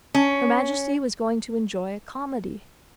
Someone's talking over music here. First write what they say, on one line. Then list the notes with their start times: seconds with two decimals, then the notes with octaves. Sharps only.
Her Majesty was going to enjoy a comedy.
0.14 C#4